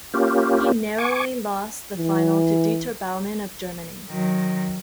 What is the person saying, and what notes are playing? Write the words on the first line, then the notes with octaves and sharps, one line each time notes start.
He narrowly lost the final to Dieter Baumann of Germany.
A#3 C#4 F4 G4
G#5 C#6 D6
E3
D#3 F#3